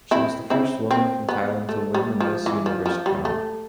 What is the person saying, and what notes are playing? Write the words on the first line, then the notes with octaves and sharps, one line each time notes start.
She was the first woman from Thailand to win the Miss Universe crown.
C4 E4
C4 E4
C4
B3
A3
G3
F3
E3
F3
F3
G3
A3